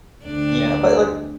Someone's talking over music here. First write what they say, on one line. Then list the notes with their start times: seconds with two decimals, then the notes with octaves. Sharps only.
Yeah, but like
0.24 D2 D3 A3 C4 D4